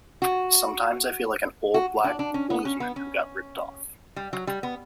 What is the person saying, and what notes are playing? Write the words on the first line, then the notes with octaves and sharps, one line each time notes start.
Sometimes I feel like an old black bluesman who got ripped off.
F#4
F#4
D4
D4
C#4
B3
C#4
B3
C#4
G3
F#3
G3
B3